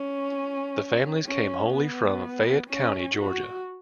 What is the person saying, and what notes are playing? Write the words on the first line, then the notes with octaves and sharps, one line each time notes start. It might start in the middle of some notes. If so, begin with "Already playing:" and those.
The families came wholly from Fayette County, Georgia.
Already playing: C#4
C#4
B3
C#4
F#4